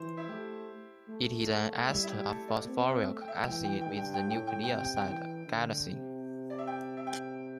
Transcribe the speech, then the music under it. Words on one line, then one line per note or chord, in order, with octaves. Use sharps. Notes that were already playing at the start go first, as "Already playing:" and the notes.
It is an ester of phosphoric acid with the nucleoside guanosine.
Already playing: E3 C5
E4
A3 G4
A3
G3 E4
E4
G4
G4
A3 A4
D5
C4
E5
A3
G5
E5
E3 G5
G5
G5
G2
G5
G5
A2 G5
G5
G5
C3
G5
G5
E3 G5
D3
C3
D5
E5
G5
E5
G5